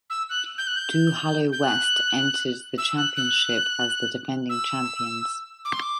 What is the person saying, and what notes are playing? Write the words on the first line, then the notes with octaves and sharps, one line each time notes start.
Duhallow West entered the championship as the defending champions.
E6
F#6
G6
F#6
G6
G6
F#6
E6
F#6
F#6
E6
D6
C6
D6